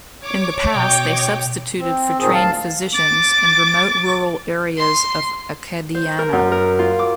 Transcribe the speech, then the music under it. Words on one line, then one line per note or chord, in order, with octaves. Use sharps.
In the past, they substituted for trained physicians in remote rural areas of Acadiana.
C#5 D6
B2 D#5 G5
C4
A#2 D#3 C4 G#4
D2 F5 A5
D6 A6
C6
C5
A#4
F#2
A#4
F4
D6